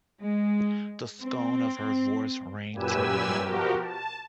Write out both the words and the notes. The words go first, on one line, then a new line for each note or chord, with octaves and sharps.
The scorn of her voice rang through the room.
G#3
C4
F#2 A#2 G4 B4 G#5 E6
B2 F3 F#4 G4 A#4
A5